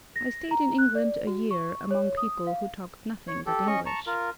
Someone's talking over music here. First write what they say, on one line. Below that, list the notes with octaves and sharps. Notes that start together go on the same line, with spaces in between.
"I stayed in England a year among people who talked nothing but English."
A#6
A#5
F#6
D5
F#4
C#6
C#5
D#6
F5
C#5
G4 A4
C#4 D#5 C#6
A5 A#5 C#6
F4 A#4